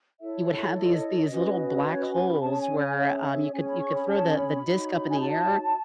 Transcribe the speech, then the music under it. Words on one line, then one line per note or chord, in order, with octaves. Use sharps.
you would have these these little black holes where, um, you could you could throw the the disk up in the air,
E4 A4 C#5 E5
D#5
C#4 F#4 B4
C#5
D#5
G#5
B5
C#4 G#4 C#5 A5
G#5
G#5
E5
C#4 G#4 C#5 G#5
B5
C#6
B5
A5
B5
D#4 F#4 C#5
G#5
A5